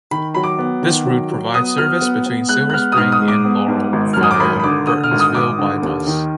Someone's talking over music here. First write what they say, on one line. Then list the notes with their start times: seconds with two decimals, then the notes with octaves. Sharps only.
This route provides service between Silver Spring and Laurel via Burtonsville by bus.
0.11 D#3 B5
0.34 F#3 B5
0.43 D6
0.58 B3
0.82 D#3
1.06 F#3
1.31 F#3
1.54 B3 D#6
1.78 F#3 F6
2.01 B3
2.26 B3
2.49 G#3 F#6
2.70 F#6
2.73 B3 F6
2.92 D#6
2.97 G#2 F6
3.12 D#6
3.20 G#3
3.28 D6
3.45 B3
3.68 G#2
3.93 G#1
4.13 F#2 F6
4.23 D#6
4.31 D6
4.40 G#1 B5
4.60 B5
4.64 D3 D6
4.87 D3 D#6
5.03 F6
5.11 G#1
5.20 D#6
5.35 G#1 D6
5.58 D3
5.82 D#2
6.07 D#3